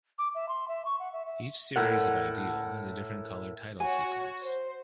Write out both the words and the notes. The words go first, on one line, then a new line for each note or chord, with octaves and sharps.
Each series of "Ideal" has a different coloured title sequence.
D6
E5
C6
E5
C#6
F#5
E5
E5
A2 A4 A#4 F#5
F#4 C#5 G#5
C5